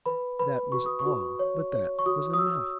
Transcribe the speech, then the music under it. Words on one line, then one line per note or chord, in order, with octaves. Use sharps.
That was all, but that was enough.
B4 B5
B4 B5
F#4 C#6
D#6
C#6
F#4
C#5
C#5
C#6
F#4 D#6
D#6
F#4 E6